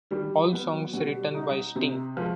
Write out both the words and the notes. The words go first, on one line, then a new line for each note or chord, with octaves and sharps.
All songs written by Sting.
D#3 G3
F3
B3
F#3
B2 G3
D#4
C3
F3 G#3